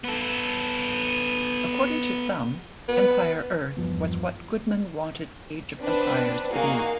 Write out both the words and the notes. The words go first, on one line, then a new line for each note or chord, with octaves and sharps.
According to some, "Empire Earth" was what Goodman wanted "Age of Empires" to be.
B3 A4
B3
E2 G2 F3 B3
B3 C4 D4 B4
A#3 D#4 F#4 G#4 F5